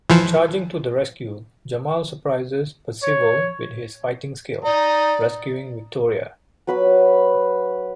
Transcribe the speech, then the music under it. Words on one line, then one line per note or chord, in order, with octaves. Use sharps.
Charging to the rescue, Jamal surprises Percival with his fighting skills, rescuing Victoria.
E3 F3
C#5
D5 A#5 D#6
F#3 B4 B5